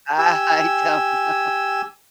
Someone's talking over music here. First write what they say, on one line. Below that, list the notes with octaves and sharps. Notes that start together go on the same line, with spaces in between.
Uh, I don't know.
G4 G#5 E6